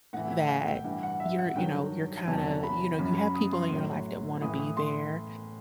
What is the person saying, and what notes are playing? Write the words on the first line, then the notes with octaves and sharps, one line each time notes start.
that you're you know, you're kinda, you know, you have people in your life that wanna be there,
A2 E3 F#5
E5
F#5
G5
G2 E3 F#5
F#5
E5
F#5
G2 D#3 F#3 G5
E2 C3 D#3 F#3 A5
B5
F#2 F#3 B5
B5
D#6
C6
A2 F#3
A2 E3 D#6
D#6
C6